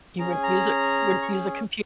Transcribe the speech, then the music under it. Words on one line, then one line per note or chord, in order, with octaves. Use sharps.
He wouldn't use it wouldn't use a compu
C#4 G#4 A#5
G#5
A#5
C#6